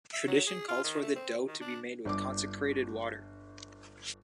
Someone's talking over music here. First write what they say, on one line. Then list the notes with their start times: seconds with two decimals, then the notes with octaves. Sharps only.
Tradition calls for the dough to be made with consecrated water.
0.13 E5
0.27 F#3
0.47 G#4
0.68 F4
0.84 D#3
1.02 A3
1.15 C4
1.47 D#3
1.61 D4
2.05 G1 D4 D6